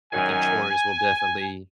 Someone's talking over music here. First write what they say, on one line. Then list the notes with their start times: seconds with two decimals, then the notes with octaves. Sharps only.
I think chores will definitely
0.13 F#2 D#3 F#3 G#5